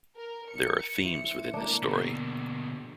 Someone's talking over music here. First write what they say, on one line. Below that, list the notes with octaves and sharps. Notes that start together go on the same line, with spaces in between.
There are themes within this story.
A#4
C#7
E3 E4 C5
A#3 D4
B2 D3